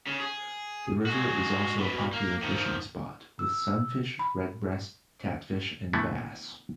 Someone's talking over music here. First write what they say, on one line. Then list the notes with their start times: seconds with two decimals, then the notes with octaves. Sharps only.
The river is also a popular fishing spot, with sunfish, redbreast, catfish and bass.
0.07 C#3
0.20 G#4
1.06 G#3 F#4
1.79 B2 E3
2.13 A#3
2.42 D#3 F3
3.39 E6
4.19 B5
5.93 D3 E3 A3 B3